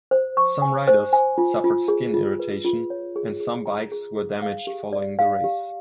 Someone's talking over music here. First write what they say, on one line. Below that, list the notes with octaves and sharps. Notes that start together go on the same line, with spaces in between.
Some riders suffered skin irritation and some bikes were damaged following the race.
C5
C#6
G#5
C5
G#5
F4
F4
G#4
F4
B4
F4
C#5
G#4
G#4
A#5
G#4
G#4
F5
G4
D5
F5
G4